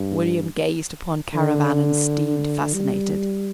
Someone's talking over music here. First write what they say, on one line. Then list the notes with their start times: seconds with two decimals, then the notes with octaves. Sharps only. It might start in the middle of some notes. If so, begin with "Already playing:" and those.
William gazed upon caravan and steed fascinated.
Already playing: G2
1.34 D3
2.74 G3